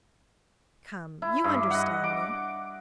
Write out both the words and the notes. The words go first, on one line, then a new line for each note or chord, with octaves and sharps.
"Come, you understand me."
E4
G2
D#5 F#5
D6